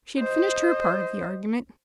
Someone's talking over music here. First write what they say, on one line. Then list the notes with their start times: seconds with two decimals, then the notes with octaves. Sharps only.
She had finished her part of the argument.
0.19 C5 D#5